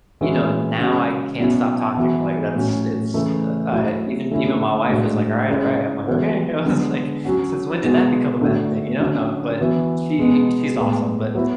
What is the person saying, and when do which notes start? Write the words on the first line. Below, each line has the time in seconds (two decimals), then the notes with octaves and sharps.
you know, now, I can't stop talking, like that's it's, uh, uh, even even my wife is like, "Alright, alright." I'm like, "Okay." I was like, "Since when did that become a bad thing?" You know? No, but she she's awesome, but
0.21 E3 G#3 C#4 F#4
0.79 C#3 G#3 C#4 F#4
1.38 B2 F#3 C#4 E4
1.97 E3 B3 F#4
2.55 A2 F#3 C#4
3.14 C#3 E3 A3
3.72 F#3 A3 E4
4.31 D3 A3 C#4 E4
4.89 A2 G#3 D4 F#4
5.48 C#3 G#3 C#4 E4
6.07 E3 G#3 B3 F#4
6.65 D3 G#3 B3
7.25 F#3 C#4 F#4
7.83 B2 G#3 B3 F#4
8.41 D3 A3 D4 F#4
9.00 D3 F#3 C#4
9.59 E3 B3 F#4
10.18 B2 G#3 B3
10.77 A2 G#3 B3
11.35 F#3 B3 E4